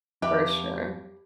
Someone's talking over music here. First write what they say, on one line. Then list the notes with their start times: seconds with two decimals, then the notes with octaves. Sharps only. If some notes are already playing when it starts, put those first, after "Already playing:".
For sure.
0.22 F2 G4 B4 E5